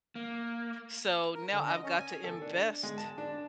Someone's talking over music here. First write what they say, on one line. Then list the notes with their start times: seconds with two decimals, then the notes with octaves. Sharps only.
so, now I've got to invest
0.15 A#3
1.35 A#4
1.53 D3
1.67 D#5
1.84 C#4
1.99 G#5
2.24 A4
2.41 D4
2.83 G#3
2.98 A5
3.18 D4